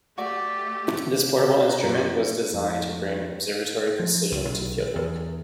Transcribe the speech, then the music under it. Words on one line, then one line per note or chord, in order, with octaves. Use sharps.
This portable instrument was designed to bring observatory precision to fieldwork.
A3 F#4 G4 D5
C#3
D4
A#5
F#2
F3
B4
F2
F3
C#2
B1
E2